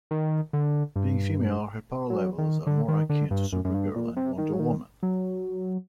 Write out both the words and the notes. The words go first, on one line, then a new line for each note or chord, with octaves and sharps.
Being female, her power levels are more akin to Supergirl and Wonder Woman.
D#3
D3
G2
F#3
D#3
D3
D#3
D3
G2
F#2
F#2
G2
A#2
C3
D#3
F#3
D#3
F#3